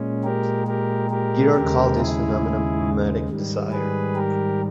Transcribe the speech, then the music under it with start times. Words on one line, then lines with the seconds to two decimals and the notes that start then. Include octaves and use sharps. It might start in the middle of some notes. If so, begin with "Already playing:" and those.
Girard called this phenomenon mimetic desire.
Already playing: A#2 G#3 C#4
0.24 G4 A#4
0.67 G4 A#4
1.10 G4 A#4
1.54 D#2 C#3 G#3 G4 A#4
1.98 E4 G#4
3.28 G#2 D#3 G3
3.72 G#4 B4
4.15 G4 A#4